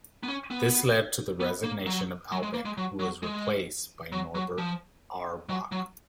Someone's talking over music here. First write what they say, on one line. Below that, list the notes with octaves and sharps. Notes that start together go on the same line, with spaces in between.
This led to the resignation of Albeck who was replaced by Norbert Auerbach.
B3
C#4
B3
B3
A#3
F#3
F#3
G#3
A#3
G#3
F#3
F#3
G#3
F#3
F#3
F3
F#3
F#3